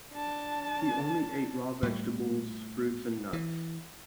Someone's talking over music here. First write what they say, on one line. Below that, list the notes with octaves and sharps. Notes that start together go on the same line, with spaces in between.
He only ate raw vegetables, fruits and nuts.
D4 A5
A2 G3
E3